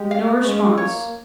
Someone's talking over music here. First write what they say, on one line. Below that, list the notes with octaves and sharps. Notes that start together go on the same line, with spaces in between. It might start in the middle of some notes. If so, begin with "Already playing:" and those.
No response.
Already playing: G#3 G4
F5
G#3 C#4
A#3 C#5